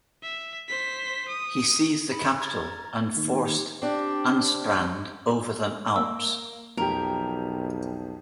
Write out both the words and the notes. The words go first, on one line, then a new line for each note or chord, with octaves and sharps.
He seized the capital and forced Ansprand over the Alps.
E5
C5 B6
D#6
G#4 B5
A#5 F6 G#6 A6
D#3 A#3 D#4
G4
C4 D4 G4
A#3 E6
B1 F2 G4 A#4